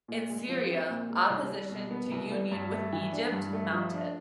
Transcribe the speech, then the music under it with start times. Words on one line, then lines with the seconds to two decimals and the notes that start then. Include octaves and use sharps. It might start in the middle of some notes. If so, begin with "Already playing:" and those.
In Syria, opposition to union with Egypt mounted.
0.08 A#2
0.30 G#3
0.49 F3
0.70 C4
0.90 A#2
1.10 G#3
1.30 C2
1.50 G3
1.71 B2
1.91 B3
2.12 C2
2.31 G3
2.51 G2
2.71 A3
2.93 E3
3.12 D4
3.32 G2
3.53 A3
3.73 F3
3.93 D4